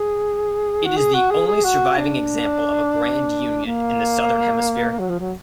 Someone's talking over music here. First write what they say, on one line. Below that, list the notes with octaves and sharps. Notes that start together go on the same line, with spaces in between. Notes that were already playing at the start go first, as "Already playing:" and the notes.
It is the only surviving example of a grand union in the southern hemisphere.
Already playing: G#4
F#4
G#4
F#4
G#4
G#4
F#4
D4
A#3
F#3
F3
F#3